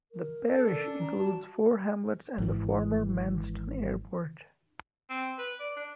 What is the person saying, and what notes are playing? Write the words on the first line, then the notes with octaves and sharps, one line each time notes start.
The parish includes four hamlets and the former Manston Airport.
A#4
A4
D4
C#4
A#5
F#4 A5
G#1 G#2 E3
C4
B4
D5
D4